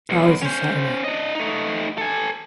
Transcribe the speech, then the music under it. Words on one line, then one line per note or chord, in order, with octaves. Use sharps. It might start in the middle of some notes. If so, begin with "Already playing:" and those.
Ours is Saturday.
B1
C#4 C5
D4 D#5
A3 D#4
A4 G#5